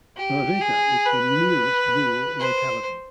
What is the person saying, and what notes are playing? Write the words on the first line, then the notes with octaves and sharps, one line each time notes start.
Barvikha is the nearest rural locality.
G4
G#4
B4
C5